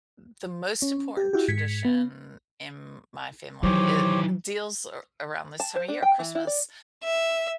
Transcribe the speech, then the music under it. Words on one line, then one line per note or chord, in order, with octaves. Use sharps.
Mm, the most important tradition in my family, it deals a around this time of year, Christmas,
C#4
G4
E4 F#4 G4
G#2 G#6 B6 C#7
B3
D#3 E3 F#3 G4 C5 C#5
A5
C5
D4
G5
E3
E4
D5
E5